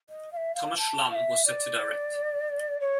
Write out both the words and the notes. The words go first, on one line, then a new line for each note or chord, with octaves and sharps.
Thomas Schlamme was set to direct.
D#5
F5
E5
F5
A5
F5
E5
D5
C#5